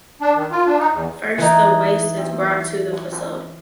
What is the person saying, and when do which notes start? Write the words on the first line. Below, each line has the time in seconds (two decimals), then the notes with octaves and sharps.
First, the waste is brought to the facility.
0.21 D4
0.35 D#3
0.51 F4
0.66 D4
0.79 D#4
0.92 E2
1.38 E3 D#4